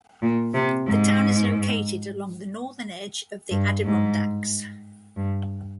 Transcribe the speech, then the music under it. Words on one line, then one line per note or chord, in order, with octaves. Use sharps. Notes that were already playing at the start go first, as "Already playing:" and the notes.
The town is located along the northern edge of the Adirondacks.
A#2
C3
G#2
G2
G#2
G2